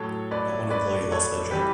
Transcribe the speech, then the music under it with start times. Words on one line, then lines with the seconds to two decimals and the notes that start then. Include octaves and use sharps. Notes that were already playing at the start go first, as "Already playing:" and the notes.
Not one employee lost their job.
Already playing: A2 F#3 A4 C#5
0.31 B4 D5
0.71 B4 D5
1.12 A4 C#5
1.51 E3 G3 G4 B4